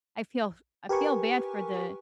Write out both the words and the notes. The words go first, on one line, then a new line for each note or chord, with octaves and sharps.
I feel I feel bad for the
G4 A#4 B4 G#5 C#6